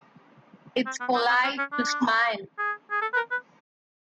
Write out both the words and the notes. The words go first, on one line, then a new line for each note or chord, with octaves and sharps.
It's polite to smile.
C4
B3
C4
C4
C#4
C#4
D4
G#4
G#4
A4
B4
A#4
B4